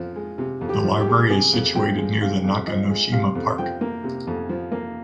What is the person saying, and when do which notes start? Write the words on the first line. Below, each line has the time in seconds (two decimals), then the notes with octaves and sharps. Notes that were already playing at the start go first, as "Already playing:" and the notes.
The library is situated near the Nakanoshima park.
Already playing: F2 F3
0.16 G#3
0.38 C3
0.61 F2
0.69 G4
0.84 F3
0.99 G4
1.07 G#3
1.30 C3 G#4
1.53 F2
1.75 F3 G5
1.98 G#3
2.21 C3 F5
2.44 F2
2.67 F3 D#5
2.90 G#3
3.12 C3 F5
3.35 F2
3.58 F3 G5
3.81 A#3
4.04 C3
4.27 F2
4.49 F3
4.72 A#3